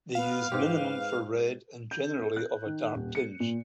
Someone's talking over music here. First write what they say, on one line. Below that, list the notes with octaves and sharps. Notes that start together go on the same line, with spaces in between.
They used minium for red, and generally of a dark tinge.
B3 F5
G#2 G4 B4
G6
A4
F#6
D#3
D#1
C#7
A#2